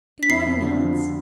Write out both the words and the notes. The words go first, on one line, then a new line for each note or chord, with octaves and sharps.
'Good morning, Hans.
B6
F2 C7
F2
D3
F3